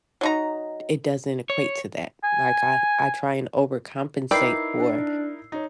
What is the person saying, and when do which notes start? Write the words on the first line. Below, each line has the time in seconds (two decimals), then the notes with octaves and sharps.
it doesn't equate to that, like, "I I try and overcompensate for
0.21 F#3 D#4 A#5
1.50 C#5
2.24 G#5
4.31 D#4 E4 A#4 B4 D5 G5 E6 C7
4.76 D4
5.52 D#4 C#5